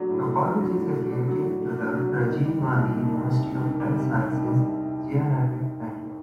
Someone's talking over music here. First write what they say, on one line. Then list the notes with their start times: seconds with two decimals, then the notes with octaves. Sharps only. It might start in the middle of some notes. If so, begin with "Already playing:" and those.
The college is affiliated to the Rajiv Gandhi University of Health Sciences, Jayanagar, Bangalore.
Already playing: F#3 A3 D4
0.10 A2
0.27 A3
0.43 D4
0.61 F#3
0.77 A2
0.94 A3
1.11 D4
1.28 F#3
1.45 A2
1.61 A3
1.78 D4
1.95 F#3
2.11 A2
2.29 D#3
2.45 G3
2.62 C3
2.79 C2
2.96 D#3
3.13 G3
3.29 C3
3.46 C2
3.63 D#3
3.80 G3
3.96 C3
4.13 C2
4.30 D#3
4.47 G3